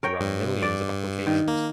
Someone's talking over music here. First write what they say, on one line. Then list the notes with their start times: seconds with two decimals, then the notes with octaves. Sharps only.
There are millions of applications.
0.03 A#4 C#5 G5
0.20 G2
0.62 D5
1.27 D#3
1.48 A#3